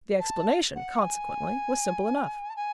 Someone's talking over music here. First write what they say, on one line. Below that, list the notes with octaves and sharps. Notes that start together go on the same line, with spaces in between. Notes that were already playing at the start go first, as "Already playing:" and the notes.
The explanation, consequently, was simple enough.
A5
F#5
G#5
A5
G#5